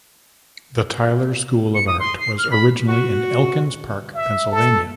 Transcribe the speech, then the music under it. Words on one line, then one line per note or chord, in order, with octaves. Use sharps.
The Tyler School of Art was originally in Elkins Park, Pennsylvania.
C#7
D#6
C6
C7
F6
B5
F#4
E5
A4